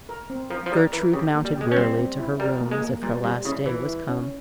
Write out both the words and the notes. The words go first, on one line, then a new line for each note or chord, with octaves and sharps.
Gertrude mounted wearily to her room as if her last day was come.
A#4
C4
F3 A#4
F3
G3 A#4
E3 A#4
C#3 G4
A#3
G3
G4
G#3
C#4
G3 C4
C4
E4
G3 A#4
A#3
G#3
A#3
A#2 G3
C3 G3
C#3 E4
E3 E4
E4
C#4